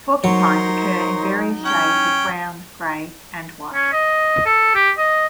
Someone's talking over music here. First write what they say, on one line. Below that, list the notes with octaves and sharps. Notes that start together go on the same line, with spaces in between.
Porcupines occur in various shades of brown, gray, and white.
F#3 D#4 A#4 C5 C#5
C#4 G5
C#4
D#5
A4
G4
D#5